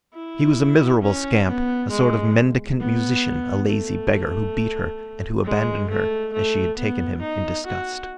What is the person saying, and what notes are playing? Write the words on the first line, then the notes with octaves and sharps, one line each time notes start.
He was a miserable scamp, a sort of mendicant musician, a lazy beggar, who beat her, and who abandoned her as she had taken him, in disgust.
E4
C#4
B3
G#3
B3
A3
G#3
A3
A3
B3
D#4
F#4